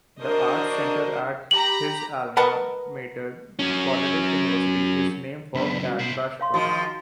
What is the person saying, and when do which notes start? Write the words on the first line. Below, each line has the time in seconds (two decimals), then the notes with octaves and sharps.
The arts center at his alma mater, Gallaudet University, is named for Cad Washburn.
0.22 D4 F#4 A#4 C5 D#5
1.51 G4 A#5 B5 F#7
2.37 A#4 B4 D#5 F#5 A5
3.59 F#3 C#4
5.55 C#2 F#2 B3 D4 B5
5.85 F#4
5.99 B2 E4 C5
6.40 C#5 F5 C6
6.54 G#2 D#3 F3 F#4